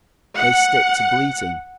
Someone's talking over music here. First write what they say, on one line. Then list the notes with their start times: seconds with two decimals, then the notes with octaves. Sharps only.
They stick to bleating.
0.35 F#5